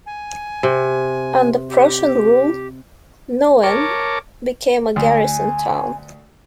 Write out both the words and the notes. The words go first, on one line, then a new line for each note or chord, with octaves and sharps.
Under Prussian rule, Nauen became a garrison town.
G#5
C3
G4
A#4 C#5 A5 D6
D2 G#5